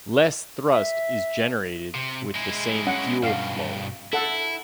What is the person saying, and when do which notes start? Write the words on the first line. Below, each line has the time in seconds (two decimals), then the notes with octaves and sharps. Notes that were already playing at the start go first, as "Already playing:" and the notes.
Less thrust is generated with the same fuel flow.
0.73 E5
1.95 C3
2.35 G#3 E4
2.87 C#4 F#5
3.23 G2 B2 F5
4.13 E4 A4 F#5